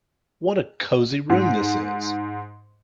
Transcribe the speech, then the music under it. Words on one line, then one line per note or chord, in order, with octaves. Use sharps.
What a cosy room this is!
G#2